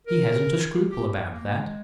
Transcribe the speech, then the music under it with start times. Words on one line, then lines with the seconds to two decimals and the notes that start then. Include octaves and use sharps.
He hasn't a scruple about that.
0.07 A#4
0.91 G4
1.32 A#3
1.54 G#3